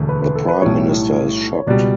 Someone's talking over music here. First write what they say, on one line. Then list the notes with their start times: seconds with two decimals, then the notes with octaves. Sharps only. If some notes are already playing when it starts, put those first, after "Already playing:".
The Prime Minister is shocked.
Already playing: E1 D2 D3
0.09 B4
0.22 B4
0.35 A4
0.48 B4
0.62 B1 A2 E3 G3 C#5
1.55 C#5
1.67 C#2 B2 G3 D5